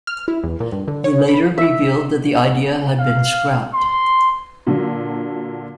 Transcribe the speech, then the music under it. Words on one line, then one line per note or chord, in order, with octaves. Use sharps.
He later revealed that the idea had been scrapped.
F6
E4
E2
A#2
G2
D3
C#5
B5
E5
F5
C6
A#2 D3 F#3